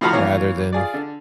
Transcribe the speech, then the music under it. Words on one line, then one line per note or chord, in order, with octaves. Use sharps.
rather than
A2 F3 F#4 F5 A#5 B5
E3 A#3 C#5
F4 G#4 D5
D3